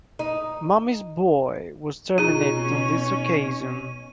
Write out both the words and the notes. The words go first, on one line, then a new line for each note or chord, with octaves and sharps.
"Mummy's Boy" was terminated on this occasion.
D#4
B2 C#4 D#4 F4 G#4 A#5 D#7